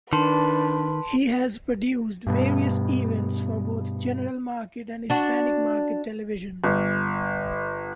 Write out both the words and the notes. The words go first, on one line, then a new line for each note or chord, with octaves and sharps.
He has produced various events for both general market and Hispanic market television.
D#3 D4 B4 A5 C6
G2 B2
D4 F#4
G1